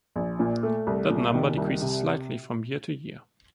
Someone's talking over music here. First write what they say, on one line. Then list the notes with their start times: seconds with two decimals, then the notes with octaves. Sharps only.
That number decreases slightly from year to year.
0.16 A#1
0.39 A#2
0.63 A3
0.87 C2
1.10 A#2
1.34 D#3
1.57 C2
1.81 C3